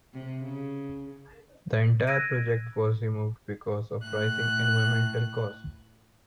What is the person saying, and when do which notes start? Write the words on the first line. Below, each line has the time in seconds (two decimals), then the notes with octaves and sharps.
The entire project was removed because of rising environmental costs.
0.13 C3
0.44 C#3
2.07 E6 F#6 G#6 A#6 D7 D#7
3.99 A2 F#6